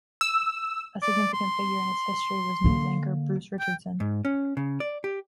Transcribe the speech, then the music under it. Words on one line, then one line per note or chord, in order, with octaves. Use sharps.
A significant figure in its history was news anchor Bruce Richardson.
E6
D5
C6
D3 A#3
G5
G#2
C#4
C#3
D5
G4